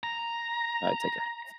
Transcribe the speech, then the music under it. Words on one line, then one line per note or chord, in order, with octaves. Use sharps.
All right, take care.
A#5